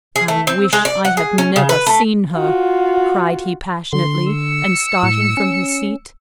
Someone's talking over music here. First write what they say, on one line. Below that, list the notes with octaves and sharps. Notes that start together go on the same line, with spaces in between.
"I wish I had never seen her," cried he passionately, and starting from his seat.
G#4
A3
C4
G#3
D5
F#5
G#4
C#4
C#3
B4
A3
F4 F#4
D3 C6
E6 C#7
A2
C#4